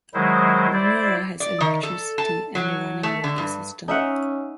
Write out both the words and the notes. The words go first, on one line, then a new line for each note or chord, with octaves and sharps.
Murra has electricity and a running water system.
D#3 F#3 G#3 E4 C5
E4 C5 D5
D5
D#3
A4
A5
F#3
A3
D3
G2
C#4 D#4 E5 F#5